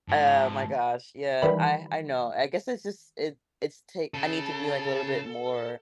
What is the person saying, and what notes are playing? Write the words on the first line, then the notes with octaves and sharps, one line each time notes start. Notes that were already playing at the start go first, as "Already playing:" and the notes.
Oh my gosh, yeah, I I know, I guess it's just, it it's t I need to be like a little bit more
G#2 F3 A5
D#3 E3 G3 B5
C#3 A4